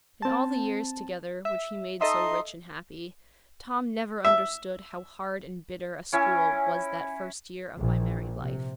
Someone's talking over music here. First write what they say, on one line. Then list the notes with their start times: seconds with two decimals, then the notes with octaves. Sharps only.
In all the years together, which he made so rich and happy, Tom never understood how hard and bitter a school was that first year of my married life.
0.22 C4 A5
1.45 E5
2.01 D#4 A4 D#5 E5 C6
4.25 E5
6.13 C#4 E4 G#5
7.77 A#1
8.39 C3